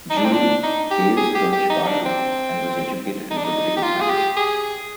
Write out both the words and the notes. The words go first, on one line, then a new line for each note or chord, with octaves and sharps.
Juul hails from Sparbu, and was educated in political science.
D#4
D4
C4
D4
D#4
G4
G#4
G4
G4
D#4
D#4
D4
C4
D#4
D4
D#4
G4
F4
G#4
G4
G#4